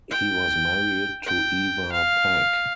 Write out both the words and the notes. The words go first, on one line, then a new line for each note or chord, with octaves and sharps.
He was married to Ewa Pac.
G5
G5
F5